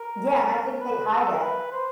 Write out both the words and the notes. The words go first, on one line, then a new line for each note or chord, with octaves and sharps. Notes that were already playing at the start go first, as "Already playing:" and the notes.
Yeah, and I think they hide it.
Already playing: A#4
B4
G#4
A4
A#4
B4
C5